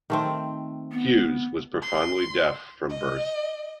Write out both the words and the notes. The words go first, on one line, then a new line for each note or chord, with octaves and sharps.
Hughes was profoundly deaf from birth.
D#3 A3 C4
B3
C6
D#5